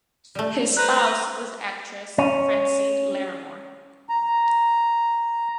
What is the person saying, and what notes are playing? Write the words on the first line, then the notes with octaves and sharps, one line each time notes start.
His spouse was actress Francine Larrimore.
G3 A3
B4 C5 A#5 F#6
C#4
A#5